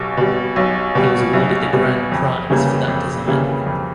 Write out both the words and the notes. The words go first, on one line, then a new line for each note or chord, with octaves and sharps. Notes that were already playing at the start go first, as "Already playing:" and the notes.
He was awarded the Grand Prize for that design.
Already playing: B1 B2 G3
B2 G3
B1
B2 G3
B1
B2 G3
F2
C#3 E3 G3 A#3
F2
C#3 E3 G3 A#3
F2